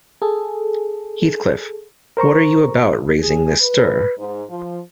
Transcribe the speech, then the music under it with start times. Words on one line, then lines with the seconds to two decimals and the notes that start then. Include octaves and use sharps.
Heathcliff, what are you about, raising this stir?
0.22 G#4 A4
2.17 A#4 C5 A#5 C#6
3.19 G#4
3.58 B4
4.18 G#2
4.49 F3